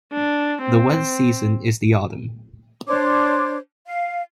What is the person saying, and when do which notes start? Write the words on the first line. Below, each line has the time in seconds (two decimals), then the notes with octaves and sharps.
The wettest season is the autumn.
0.12 D4
0.63 C4
2.87 D4 C5 C#5 D6
3.86 F5